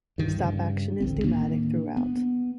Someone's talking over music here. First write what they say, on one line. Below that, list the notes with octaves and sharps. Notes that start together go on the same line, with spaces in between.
Stopaction is pneumatic throughout.
G2 D#3
G2 C#3
A1 D2 C4
A2 D#3 A#3 D4
B3